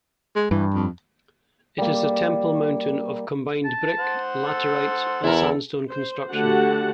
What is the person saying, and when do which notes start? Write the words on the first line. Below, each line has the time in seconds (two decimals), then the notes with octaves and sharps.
It is a temple mountain of combined brick, laterite and sandstone construction.
0.36 G#3
0.51 G2 E3
0.74 F2
1.78 G3 A#3
3.65 A5
3.99 C5 F#5
4.46 A4
5.24 E2 E4 A4 A#4
5.89 C5
6.31 D3 A3 F#4 G4 F#5 A5